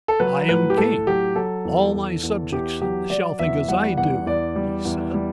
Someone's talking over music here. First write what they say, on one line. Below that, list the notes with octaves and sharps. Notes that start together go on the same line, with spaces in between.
'I am king; all my subjects shall think as I do,' he said.
A4
F#3 B4
A2 B4
G4
A2 A4
F#3 G4
F#3 A4
E2
E2
E2
E2 G4
F#3 G4
F#3 D5
E2 E5
G3 F#5
E2 F#5
E2 D5
G3
E2
G3